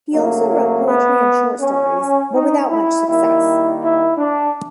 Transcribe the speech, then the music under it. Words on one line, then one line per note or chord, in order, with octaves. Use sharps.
He also wrote poetry and short stories, but without much success.
C#3 F#3 A3 A#3
A#3
B3
C#4
D#4
E4
D#3 G3 A#3 E4
E4
D4